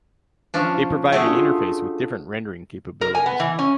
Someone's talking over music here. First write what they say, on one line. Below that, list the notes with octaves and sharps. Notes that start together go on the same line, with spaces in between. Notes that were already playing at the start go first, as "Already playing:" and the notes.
They provide an interface with different rendering capabilities.
F3 C#4 D4
A3 G4 G#4 F#5
D4 F4 F#4
A#4
G#5
B3
E3
C#4